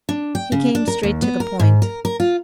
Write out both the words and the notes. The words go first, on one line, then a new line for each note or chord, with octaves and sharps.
He came straight to the point.
D4
G5
C#3
D4
A#4
D#2
B3
A#4
G#2
A#4
A#4
F4